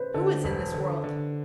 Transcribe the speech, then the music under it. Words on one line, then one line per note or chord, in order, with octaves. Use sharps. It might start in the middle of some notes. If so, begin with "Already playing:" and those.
"Who is in this world?"
Already playing: B4 C5
D3 A4
E1
D3
D3